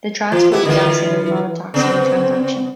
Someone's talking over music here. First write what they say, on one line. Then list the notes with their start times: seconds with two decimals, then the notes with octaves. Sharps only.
The transfer of the asset is not a taxable transaction.
0.32 E3 F4
0.52 B3 E4 G4
0.65 D3 E3 F4
1.74 C#3 B3 C4